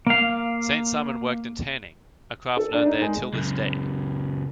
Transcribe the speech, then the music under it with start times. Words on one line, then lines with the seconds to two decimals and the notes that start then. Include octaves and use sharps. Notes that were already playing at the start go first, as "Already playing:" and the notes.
Saint Simon worked in tanning, a craft known there till this day.
0.07 A#3 F5
2.57 A4
2.73 D4
2.86 D#4
3.02 G#3
3.33 C#2 F#2